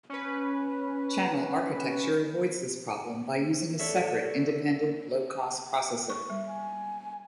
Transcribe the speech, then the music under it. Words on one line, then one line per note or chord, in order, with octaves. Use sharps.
Channel architecture avoids this problem by using a separate, independent, low-cost processor.
C#4 B4
A4 C#5 D5 E5
C#6
G3
G#5